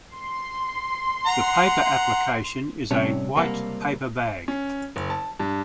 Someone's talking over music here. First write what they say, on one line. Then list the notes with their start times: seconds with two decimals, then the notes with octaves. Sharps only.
The paper application is a white paper bag.
0.15 C6
1.26 F#5 A#5
2.91 C3 G3 C#4 C#5 E5 A5
3.35 C#2 C3 G3 A#3 F#5 A5
4.48 C#4
4.96 F#1
5.10 A5
5.40 G2